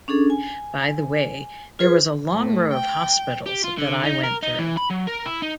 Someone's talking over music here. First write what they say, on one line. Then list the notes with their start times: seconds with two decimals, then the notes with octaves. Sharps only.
By the way, there was a long row of hospitals that I went through.
0.08 C#4 D4 G#4 A4
0.30 G#5
1.79 F4 G#4 B4 C5
2.33 A2
2.74 G5
3.46 G4
3.64 F4
3.78 D3
4.04 D#4
4.24 A#4
4.43 D#4
4.59 E3
4.77 B5
4.90 F#3
5.08 A#4
5.26 E4
5.42 D#4